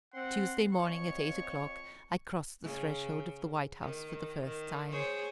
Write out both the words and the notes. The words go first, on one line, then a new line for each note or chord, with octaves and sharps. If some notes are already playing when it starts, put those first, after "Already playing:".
Tuesday morning, at eight o'clock, I crossed the threshold of the White House for the first time.
C4 F#5 C6
F2 C#5 C#6
C#3
D#3
D#3
G#4 C5 C#5